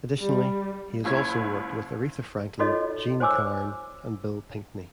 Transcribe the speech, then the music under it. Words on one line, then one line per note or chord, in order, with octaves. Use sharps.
Additionally, he also worked with Aretha Franklin, Jean Carn, and Bill Pinkney.
G3
F#1 C#2 E4 C#5 G#6
D#4 F4 F#4 A4 C#5 D#5
C5 C#5 G#5 D6 E6